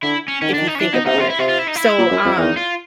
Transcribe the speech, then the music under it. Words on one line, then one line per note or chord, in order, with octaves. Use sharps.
if you think about it. So, um,
D3 E4
C#4
D#3 C#4
D3
D#3 D4
D#4
C#4
E3 D4
B2 D#4
C3 D#4
C#3
C3 F4
E4
C3 F4
F4
E4
D#4
E4
A#2
F#2
F2
E2 D#4
F4